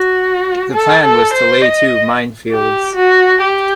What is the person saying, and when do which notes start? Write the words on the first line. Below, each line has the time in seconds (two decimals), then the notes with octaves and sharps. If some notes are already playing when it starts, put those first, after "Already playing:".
The plan was to lay two minefields.
Already playing: F#4
0.73 A4
1.02 A4
1.33 C5
1.62 D#5
2.52 G4
2.95 F#4
3.41 G4